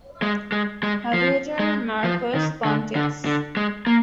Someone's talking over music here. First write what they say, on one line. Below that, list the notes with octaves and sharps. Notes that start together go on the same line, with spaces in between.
Aviator Marcos Pontes.
G#3
G#3
G#3
F3
G#3
F3
D#3
D3
D3
D3
G#3
A#3